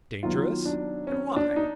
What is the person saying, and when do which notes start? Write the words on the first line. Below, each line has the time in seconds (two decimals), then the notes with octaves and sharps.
"Dangerous!--and why?"
0.23 D#3 F#3 B3 F4
0.66 D4
1.07 C#4
1.36 D4
1.56 D#4